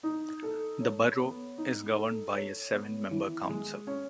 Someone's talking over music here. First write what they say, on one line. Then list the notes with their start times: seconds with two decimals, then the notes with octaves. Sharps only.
The borough is governed by a seven-member council.
0.03 D#4
0.43 A4
0.81 C#5
1.19 B3
1.58 D#4
1.96 A4
2.34 C#5
2.72 B3
3.11 E3
3.49 G#3
3.87 C#4